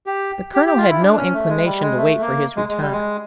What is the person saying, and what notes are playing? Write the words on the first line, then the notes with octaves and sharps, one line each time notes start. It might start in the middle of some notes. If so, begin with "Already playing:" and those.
The colonel had no inclination to wait for his return.
G4
G4
G4
F4
E4
D4
C#4
A3
G#3
G3
G#3
A3
A#3
G#3
G#3
G3
G#3